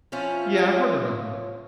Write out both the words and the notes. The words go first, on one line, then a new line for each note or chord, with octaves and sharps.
Yeah, I've heard of them.
F3 C#4 E4 F4